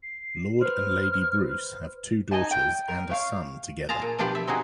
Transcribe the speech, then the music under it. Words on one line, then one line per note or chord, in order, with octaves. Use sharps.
Lord and Lady Bruce have two daughters and a son together.
C7
B4 C5 F6
D#4 D#5 G#5 A5
G5
A#4
C#5 E5 F5
F4 G#4 A5 A#5
A#2
B2 F3 D4 F4 G4 B4
E5
C4 D#4 F#4 G#4